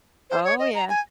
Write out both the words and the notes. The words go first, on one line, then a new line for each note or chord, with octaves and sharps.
Oh, yeah.
C5
C#5
D#5
A#5
G#5